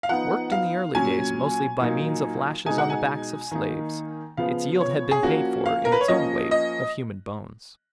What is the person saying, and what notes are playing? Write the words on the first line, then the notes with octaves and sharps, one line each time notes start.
Worked in the early days mostly by means of lashes on the backs of slaves, its yield had been paid for in its own weight of human bones.
F5
F3 B3 D#4 F#5
F5
A#2 F#3 C#4 G#5
A#2 F#3 A#3 D#4
B2 G#3 D#4 G#5
F#5
G#5
D#3 A#3 D#4
C#3 F3 B3 F5
C#5
G#4
F3 A#3 C#4 F#4
F5
A#4
B4
C#5
F3 A#3 C#4 D#5
D#5